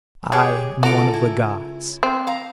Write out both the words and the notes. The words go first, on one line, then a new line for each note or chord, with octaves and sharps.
I am one of the gods.
G#2 G#3 G4 G#4 C#5
C#2 F#4 A4 A#5 D6
E4
C4
F5 A#5